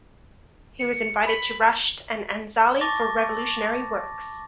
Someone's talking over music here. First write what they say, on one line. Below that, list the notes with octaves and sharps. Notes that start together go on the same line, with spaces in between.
He was invited to Rasht and Anzali for revolutionary works.
C#7
B5
A5 C#6 D6 A6 A#6